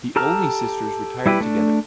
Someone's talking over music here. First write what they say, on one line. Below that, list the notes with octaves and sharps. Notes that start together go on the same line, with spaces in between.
The Olney sisters retired together.
G4 A4 A5 A#5 F6
G3 E4 G4 B4
A3 D4